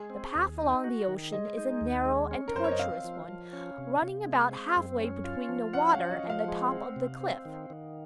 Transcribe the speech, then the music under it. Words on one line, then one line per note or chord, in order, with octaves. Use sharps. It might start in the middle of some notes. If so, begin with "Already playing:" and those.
The path along the ocean is a narrow and tortuous one, running about halfway between the water and the top of the cliff.
Already playing: G#3 G#4
C4
D#2
D#4
F#4
D#3
G#3 D#5
D#4
D#2
G#3
C#4
A#4
F#2 C5
C#5
D#5
C4 F5
F3
F3
C#4
C3
C3
G#3
C4
F#2
C#4
F4
F3
C#4 F#5
F5
F3
D#5
F3
F5
G#3
C4
C3
C4
D#3
D#3